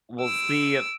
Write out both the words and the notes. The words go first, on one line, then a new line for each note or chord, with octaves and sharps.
We'll see a
E6 D7